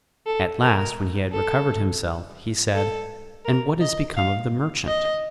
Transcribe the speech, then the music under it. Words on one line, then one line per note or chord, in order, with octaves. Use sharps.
At last, when he had recovered himself, he said, "And what is become of the merchant?"
A4
A#4
A4
A4
A#4
D#5
F5
D#5